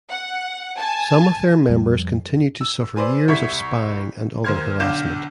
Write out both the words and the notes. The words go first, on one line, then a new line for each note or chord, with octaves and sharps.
Some of their members continued to suffer years of spying and other harassment.
F#5
G#5 A5
F2 G3
E6
G#4 B4 C5 D5
C2 E4 C#6 G#6 B6
D#2 A#3 C5 F6 G#6
B1 D3 F5 D6 G6 E7